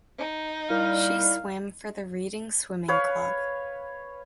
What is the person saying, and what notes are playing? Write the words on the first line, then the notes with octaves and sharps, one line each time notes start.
She swam for Reading Swimming Club.
D#4
A#2 G3 E4 F5
B4 C#5 F5